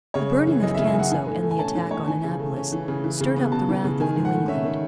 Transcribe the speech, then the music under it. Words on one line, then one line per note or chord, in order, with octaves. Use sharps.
The burning of Canso and the attack on Annapolis stirred up the wrath of New England.
C#3 C#5
F#2
E3
F#2 D#5
C#3 E5
G#5
F#2 F#5
E3 G#5
A2
A3
G#5
C#4 A5
E3
A2 C#5
E3 G#5
C#3
A3
C#4
E3
C#3
E3
C#3
B3
C#3 A5
E3
C#3
D#3 G#5
G#2
F#5
A3
C#4 E5
D#3